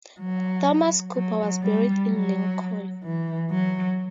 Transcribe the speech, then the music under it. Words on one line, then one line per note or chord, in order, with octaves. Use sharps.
Thomas Cooper was buried in Lincoln.
F#3
F#3
G3
F#3
E3
F#3